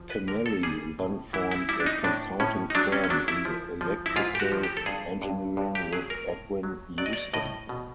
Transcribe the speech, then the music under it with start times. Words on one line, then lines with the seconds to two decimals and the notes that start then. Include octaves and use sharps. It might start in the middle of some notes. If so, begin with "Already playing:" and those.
Kennelly then formed a consulting firm in electrical engineering with Edwin Houston.
Already playing: F3
0.10 B4
0.28 D3 A#4
0.46 A4
0.63 G3 G#4
0.99 A2
1.33 E3 E4
1.51 E4
1.69 G3 E4
1.80 D4
1.86 D#4
2.04 A2 D4
2.40 A2 C#4
2.70 D#4
2.75 F#3 D4
2.92 C#4
3.04 C#4
3.10 F#3 D4
3.28 E4
3.45 F3
3.81 F3
4.06 E4
4.16 G#2 F4
4.35 G4
4.40 F#4
4.52 F3
4.63 G4
4.77 A4
4.86 G2 G#4
5.22 G2
5.57 G2
5.75 G4
5.93 F#3 G#4
6.10 A#4
6.28 A2
6.63 F#3
6.98 F#3 D5
7.06 D#5
7.13 D5
7.33 A2 D#5
7.69 B2